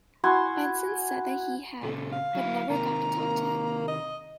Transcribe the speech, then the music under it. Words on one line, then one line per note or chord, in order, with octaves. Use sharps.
Benson said that he had, but never got to talk to him.
E4 F#4 G#5 C6
A#2 C#3 A4
F5
F#3 E4
C3 D#3 A#3 A#5
A#3
D#5